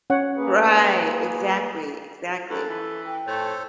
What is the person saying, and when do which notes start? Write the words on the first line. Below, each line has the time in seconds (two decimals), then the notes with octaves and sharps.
Right. Exactly, exactly.
0.10 C#4 C#5 F#5
0.37 A#3 G#4 B4
2.50 F#2 A4
2.69 E3
3.06 G5
3.27 F2 A2 A3 A4 C5 C#5